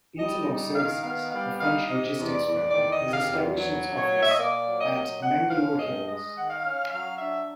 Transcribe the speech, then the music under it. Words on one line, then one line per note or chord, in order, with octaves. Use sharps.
Interlog Services, a French logistics firm has established its office at Mangalore Hills.
G3 D#5
D#4
D#3 F5
B3 F5
G3 F5
D#4 F5
C3 D#5
E2
D5
E2
D#3 D5
D#5
C3
F5
E2
F#3
A#2
C#5
A#2
E5
D#5
A#3 D5
F#3
D#5
A#2
D#3 F#5
C#4 F5
G2 D#5
G#3 D#5
D#3 F#5
F5
C#4
F#3 F5
D4 E5